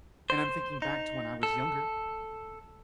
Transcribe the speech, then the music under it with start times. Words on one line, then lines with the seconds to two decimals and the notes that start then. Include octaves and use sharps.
and I'm thinking back to when I was younger,
0.30 C5
0.82 D#4
1.43 A4